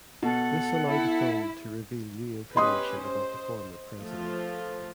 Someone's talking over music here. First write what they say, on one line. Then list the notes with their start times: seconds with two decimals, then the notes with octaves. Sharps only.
This allowed the film to reveal new information about the former president.
0.23 B2 A4 F#5
0.86 E4
2.56 C#4 G4 B4 D#5 C6 D#6
3.04 C5
3.98 F3 A3 F4